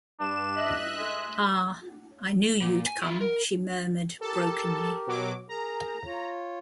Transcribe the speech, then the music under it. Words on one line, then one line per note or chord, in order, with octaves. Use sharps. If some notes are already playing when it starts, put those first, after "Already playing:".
"Ah, I knew you'd come," she murmured brokenly.
G2 D4 E7
D#5 E5 F#6
G#3
A#2
G#5
E4 F4
A#4
G4 A4 A#4 A5
B2 F#3 D6
G#4 A#4 A#5
F4 C#5